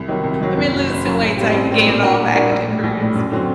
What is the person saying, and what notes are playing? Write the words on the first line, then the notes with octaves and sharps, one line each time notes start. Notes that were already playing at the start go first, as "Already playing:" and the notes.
Let me lose some weight so I can gain it all back on the cruise."
Already playing: C2
C3 D#3 F#3
C2
C3 D#3 F#3
F#1
F#2 F#3
F#1
F#2 F#3
A1
A2 G3 C4 G4
A1
A2 G3 C4 G4
A#2
G3 D4 F#4 A#4
A#2
G3 D4 F#4 A#4
A#1
A2 G3
A#1
A2 G3
F#2
D3 F#3 C4